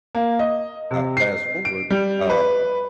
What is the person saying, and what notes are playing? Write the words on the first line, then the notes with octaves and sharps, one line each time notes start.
I fast forward, um,
A#3
D#5
C3
C7
D7
G3
B4